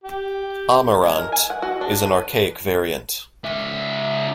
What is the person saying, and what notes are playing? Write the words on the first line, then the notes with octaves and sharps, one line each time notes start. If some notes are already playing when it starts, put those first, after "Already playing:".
"Amarant" is an archaic variant.
G4
G#3
A#4
G#5
F#5
F#4
D4
B4
C#2 E5